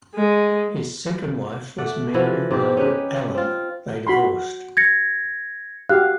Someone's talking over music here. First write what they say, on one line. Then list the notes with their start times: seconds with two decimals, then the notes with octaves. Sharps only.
His second wife was Mary Margaret Allen; they divorced.
0.15 G#3
1.78 A3 D5 F#5
2.14 E3 F3 E4 F#4
2.51 G#2 C4 G4
2.77 C#4 D#4 G4 B4
3.35 C4 F4
4.07 F#4 B5 C6
4.77 G#6 A#6 C#7
5.89 F#4 G4 F5 F#6